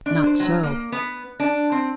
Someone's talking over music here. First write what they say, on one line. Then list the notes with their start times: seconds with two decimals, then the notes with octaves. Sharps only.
Not so.
0.06 D4
0.26 C5
0.40 F#3
0.63 A#3
0.92 B3
1.40 D4
1.72 C4